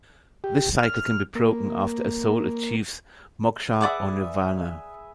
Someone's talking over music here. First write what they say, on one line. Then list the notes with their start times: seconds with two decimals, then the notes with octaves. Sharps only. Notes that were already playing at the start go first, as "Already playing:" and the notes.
This cycle can be broken after a soul achieves "Moksha" or "Nirvana".
0.44 G4
0.78 F6
1.35 A#3
3.81 G#4 B4 D5 E5 F#5 D6